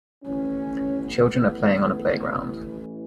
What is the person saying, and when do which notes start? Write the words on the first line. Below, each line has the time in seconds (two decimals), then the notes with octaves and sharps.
Children are playing on a playground.
0.23 A1 A2 E3 C#4
1.02 B3
2.61 C#4